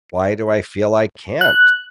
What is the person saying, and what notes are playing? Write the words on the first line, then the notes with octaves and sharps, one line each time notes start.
"Why do I feel I can't
F#6